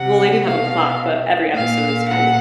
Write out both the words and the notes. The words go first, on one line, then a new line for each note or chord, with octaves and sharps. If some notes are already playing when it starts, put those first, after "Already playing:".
Well, they do have a plot, but every episode is kind of
Already playing: C3 F#5
B2 F5
A#2 F5
F#5